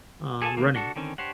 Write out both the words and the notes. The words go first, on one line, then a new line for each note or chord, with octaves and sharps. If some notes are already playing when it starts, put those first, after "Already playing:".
um, running
G#4 A4 B4 G#5 A5
D#3 A3 A#3
D4 F#4 A4
D3 D#3 C4 C#4
D4 G4 C5 C#5 F#5